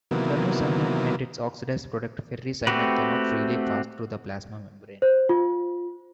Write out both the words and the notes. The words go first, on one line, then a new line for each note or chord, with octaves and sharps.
Ferrocyanide and its oxidized product ferricyanide cannot freely pass through the plasma membrane.
C3 D#3 E3 F#3 A#3 B3
A3 C4 F#4 G4 B4
C5
F4